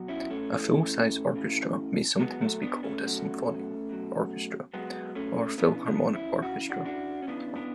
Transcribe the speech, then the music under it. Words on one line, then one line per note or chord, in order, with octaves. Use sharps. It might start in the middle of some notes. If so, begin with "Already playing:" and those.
A full-size orchestra may sometimes be called a "symphony orchestra" or "philharmonic orchestra".
Already playing: B2 F#3
C#4 E4
A3 C#4
C#3 E3
C#3 E3
B2 F#3 G#3 B3
F#3 A3
B3 D4
A3 C#4
B2 F#3
B2 F#3
B2 F#3 G#3 B3
A3 C#4
C#3 E3 B3 D4
B3 D4
C#4 E4
C#3 E3 F#4
D4 F#4
D4 F#4
C#4
C#3 E3 B3 D4
B3 D4